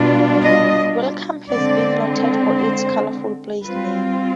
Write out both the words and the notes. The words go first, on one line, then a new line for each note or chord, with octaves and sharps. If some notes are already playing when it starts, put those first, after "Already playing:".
Welcome has been noted for its colorful place name.
Already playing: B2 G3 D4 F4
D#5
D3 G#3 C4 D5
C5
G3 C4 F4 B4